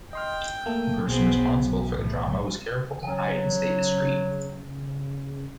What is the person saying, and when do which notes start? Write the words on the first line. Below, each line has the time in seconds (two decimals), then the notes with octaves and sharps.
The person responsible for the drama was careful to hide and stay discreet.
0.13 D#5 G5 C6 F6
0.66 A3 A#3 A4
1.06 B1 B2 B3 C4 G#4
1.59 F#2
1.97 A2
3.08 C#3 F#3